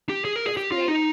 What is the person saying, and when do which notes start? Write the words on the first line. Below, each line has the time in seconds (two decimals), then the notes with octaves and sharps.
That's great.
0.09 G4
0.25 G#4
0.36 A#4
0.45 G#4
0.57 G4
0.72 F4
0.88 D#4